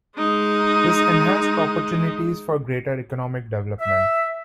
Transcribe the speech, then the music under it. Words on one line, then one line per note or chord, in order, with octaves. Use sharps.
This enhanced opportunities for greater economic development.
G#3 D#4
E5